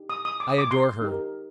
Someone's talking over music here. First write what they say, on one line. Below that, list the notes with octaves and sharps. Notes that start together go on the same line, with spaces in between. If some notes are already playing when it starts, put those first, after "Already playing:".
"I adore her!"
Already playing: D#4 G4
D#6
D#6
D6
D#6
D6
C6
D#4 G4 A#4